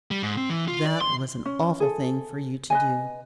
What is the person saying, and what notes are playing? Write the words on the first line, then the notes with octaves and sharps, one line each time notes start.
That was an awful thing for you to do.
G3
G#2
C4
E3
F4
D5
C6
C#4
G#4 A4
B4 D#5 G#5